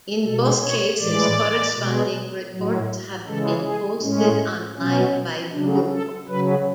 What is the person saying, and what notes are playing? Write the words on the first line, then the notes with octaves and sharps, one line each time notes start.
In both cases, corresponding reports have been posted online by Bruegel.
B2 G#3 A4
C#5
A2 E3 G#3 D5
B2 G#3
A2 F#3
C#3 E3 G#3 A4
G#4
A2 G#3 C#4
B2 F#3 C#4
C#3 F#3 D4
A4
C#3 F#3 B4